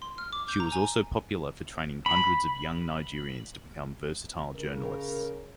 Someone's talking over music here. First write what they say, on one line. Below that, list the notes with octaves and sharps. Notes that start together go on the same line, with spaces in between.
She was also popular for training hundreds of young Nigerians to become versatile journalists.
C6
F6
D6
G6
A#5
G#5
B5
C#3 A#4